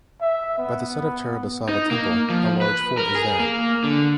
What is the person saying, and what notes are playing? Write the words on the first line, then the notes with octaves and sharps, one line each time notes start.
By the side of Charabasava Temple A Large Fort is there.
E5
B3
D#4
A#3
F3
B4
A#4
G#4
A#3
D3